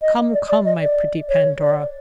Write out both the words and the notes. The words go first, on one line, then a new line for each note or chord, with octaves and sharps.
Come, come, my pretty Pandora!
D#5
D5
D5
D#5
D5
C#5
D5